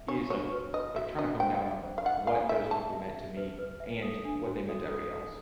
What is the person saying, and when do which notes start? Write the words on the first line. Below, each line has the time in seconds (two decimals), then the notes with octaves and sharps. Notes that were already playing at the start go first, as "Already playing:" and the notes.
is like like trying to home down on what those people meant to me, and what they meant to everybody else.
Already playing: E5
0.08 D4 C#5
0.30 F#4 C#5
0.52 B4
0.74 B4 D#5
0.96 F#4 E5
1.18 D4 D#5
1.40 C5 G5
1.62 D#5
1.83 C5
1.98 F5
2.05 D#5 F#5
2.27 F5 G#5
2.49 D#5 E5
2.71 G#4 A5
2.93 E5
3.15 E5
3.37 B4
3.59 B4
3.80 E5
4.02 A4
4.24 D4
4.47 F#4
4.69 A4
4.90 A4
5.12 A4